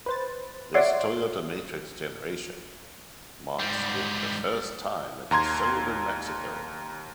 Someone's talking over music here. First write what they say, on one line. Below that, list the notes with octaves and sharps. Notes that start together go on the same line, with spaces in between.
This Toyota Matrix generation marks it the first time it is sold in Mexico.
B4 C5 A6
C#5 D5 E5 F#5 C6 D6
G#2 G3
D#2 A#5 C6 G#6